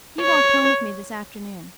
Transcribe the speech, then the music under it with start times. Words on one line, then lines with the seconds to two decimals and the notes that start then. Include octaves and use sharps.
He walked home with me this afternoon.
0.21 C#5